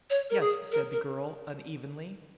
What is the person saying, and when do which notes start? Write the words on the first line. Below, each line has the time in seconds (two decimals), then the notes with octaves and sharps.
"Yes," said the girl unevenly.
0.10 C#5
0.30 A#4
0.40 G#4
0.72 A#4
0.92 A#4